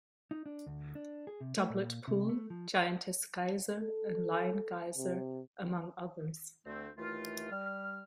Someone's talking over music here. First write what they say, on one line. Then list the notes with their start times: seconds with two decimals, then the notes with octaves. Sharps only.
Doublet Pool, Giantess Geyser and Lion Geyser, among others.
0.31 D#4
0.46 D4
0.66 D2
0.95 D4
1.27 G#4
1.41 C3
1.58 A3
1.70 A#2
2.08 C3
2.29 A3
2.50 F3
3.81 A4
4.98 C3
6.66 D2 A3 C4
6.98 D#2 E3 A3 F4
7.51 G3 F6